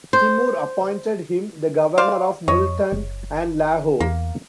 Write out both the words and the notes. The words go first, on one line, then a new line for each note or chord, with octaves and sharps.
Timur appointed him the governor of Multan and Lahore.
C5
C5 D5 F5
F2 C#5 D#5
F#1
E2 A#3